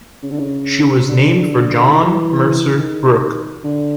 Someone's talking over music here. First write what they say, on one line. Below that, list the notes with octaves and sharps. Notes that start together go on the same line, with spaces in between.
She was named for John Mercer Brooke.
C#3
D3
C#3
D3
D#3
E3
D#3
D3